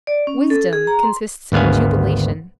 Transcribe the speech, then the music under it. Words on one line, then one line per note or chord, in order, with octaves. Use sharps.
Wisdom consists in jubilation.
D5
C#4
A4
G#4
A#5
C6
G#1 D2 B3 F5 G#5